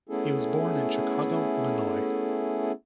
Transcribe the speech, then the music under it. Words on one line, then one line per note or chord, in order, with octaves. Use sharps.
He was born in Chicago, Illinois.
A3 B3 C#4 E4 G#4 A4